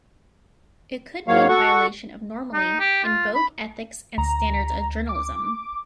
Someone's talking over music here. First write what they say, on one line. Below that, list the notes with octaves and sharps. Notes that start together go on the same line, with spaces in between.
It could be in violation of normally in vogue ethics and standards of journalism.
G#2 F#3 A#3 C#5 F5
F#4 A4 F#5 C#6
D#4
G4
F4
B5
D2 A#5
D6